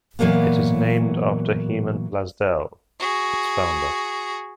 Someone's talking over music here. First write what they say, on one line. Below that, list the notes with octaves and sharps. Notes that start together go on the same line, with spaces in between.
It is named after Heman Blasdell, its founder.
A#2 E3 F#3 A#3 B3
F#4 G#4